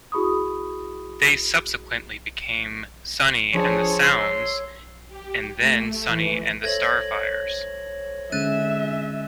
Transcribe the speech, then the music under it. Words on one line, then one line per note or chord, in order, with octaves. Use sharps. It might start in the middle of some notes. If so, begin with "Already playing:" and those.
They subsequently became Sonny and The Sounds and then Sonny and The Starfires.
E4 F#4 G#4 B5 C#6 D#6
F3 D4 F4 G#4 A4 C5 C#5
C#5 C6 E6
G4
A3
E3
A4 C5 C#5 E5 G#6 A#6 F#7
D3 G#3 C#4 E5 F#6 A6 D#7